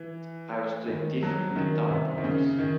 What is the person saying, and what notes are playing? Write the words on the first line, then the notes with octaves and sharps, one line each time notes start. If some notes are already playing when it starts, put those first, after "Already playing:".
I was doing different guitar parts.
Already playing: E3
D#3
F#3
C#3
D#3
C3
D#3
C#3
D#3